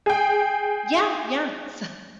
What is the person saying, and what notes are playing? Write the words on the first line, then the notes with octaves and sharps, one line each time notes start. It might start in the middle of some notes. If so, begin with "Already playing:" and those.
Yeah, yeah, so
G#4 G5